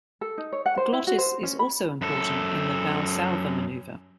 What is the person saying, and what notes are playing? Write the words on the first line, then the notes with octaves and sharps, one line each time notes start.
The glottis is also important in the valsalva maneuver.
A4
D#4
C#5
F#5
C5
E4
F#4
C5
C#4
B5
F#2 A4